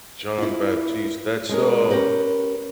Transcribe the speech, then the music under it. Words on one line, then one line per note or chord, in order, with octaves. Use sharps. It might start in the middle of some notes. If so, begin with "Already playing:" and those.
Jon Batiste, that's, um
E4 F4
G#3 C#4 A#4
C#4 G4 A#4 B4